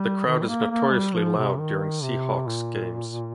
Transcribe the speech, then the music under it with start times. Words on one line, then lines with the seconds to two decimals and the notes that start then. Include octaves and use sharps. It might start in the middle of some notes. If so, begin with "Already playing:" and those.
The crowd is notoriously loud during Seahawks games.
Already playing: G3
0.26 D#3
0.42 G3
0.48 A#3
0.71 A#3
0.93 G3
1.14 F3
1.37 C3
1.60 D#3
2.03 C3
2.47 A#2